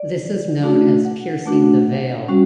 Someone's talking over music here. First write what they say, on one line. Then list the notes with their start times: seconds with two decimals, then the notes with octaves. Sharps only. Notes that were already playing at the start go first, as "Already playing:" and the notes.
This is known as piercing the veil.
Already playing: D5
0.63 A3 D4 F#4
1.05 F#5
1.46 A3 D4 F#4
2.28 G3 C#4 F#4